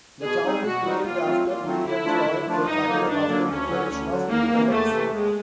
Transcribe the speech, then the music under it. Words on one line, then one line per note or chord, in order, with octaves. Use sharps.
The town is named after William Floyd, a signer of the Declaration of Independence.
B2 G#4
G3 C4 D#4
B2 F#4
G3 C4 D#4
A#2 F4
F#3 A3 C4
A#2 F4
F#3 A3 C4
D3 E4
F3 A3 D4 F4
D3
F3 A3 D4 F4
G2 D#4
D3 F#3 A#3
G2 D4
D3 F#3 A#3
D2 C#4
D3 F#3
D2
D3 F#3
E2 A#3
C3 E3
E2 A3
C3 E3
D#2 G#3